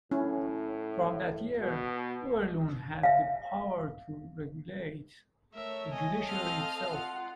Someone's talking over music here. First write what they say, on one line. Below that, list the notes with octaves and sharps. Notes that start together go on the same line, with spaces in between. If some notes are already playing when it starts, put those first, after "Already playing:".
From that year, Overloon had the power to regulate the judiciary itself.
A2 C#4 E4
B2
E5 F5
A3 A#4 C#5 E5
D#5 G#5
C4 A4 F5 F6
F4 F#5